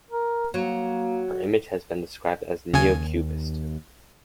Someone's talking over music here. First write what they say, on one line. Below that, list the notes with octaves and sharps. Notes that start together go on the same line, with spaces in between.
Her image has been described as "neo-cubist".
A#4
F#3 A#3
D#2 C#3 G#5